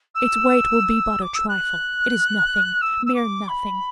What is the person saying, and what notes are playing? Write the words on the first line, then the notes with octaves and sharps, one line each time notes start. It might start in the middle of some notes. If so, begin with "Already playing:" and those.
Its weight will be but a trifle--it is nothing--mere nothing.
E6
D6
E6
F#6
E6
E6
D6
B5